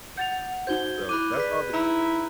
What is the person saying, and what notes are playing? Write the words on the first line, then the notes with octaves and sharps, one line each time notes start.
so that's all the
F#5 G6 A6 F7
D#4 F#4 C5 G6 G#6 G7
E4 B5 D6 F#6 D#7
G#4 B4 D5 F#6 B6
D#4 E4 A#5 B5 E6